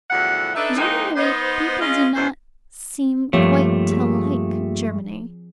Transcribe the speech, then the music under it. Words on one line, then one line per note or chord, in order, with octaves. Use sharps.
Generally people do not seem quite to like Germany.
E2 A2 D3 F3 F#4 F#5
D4 D#4 A4 B4 E5
E3 G#3 A#3 C4 D#4
B3 D#4 C5
G#3 C#4 D#4 F4
E2 B2 C5
G2 F3 A3 A#3 C4 F4 G4 C#5
G#4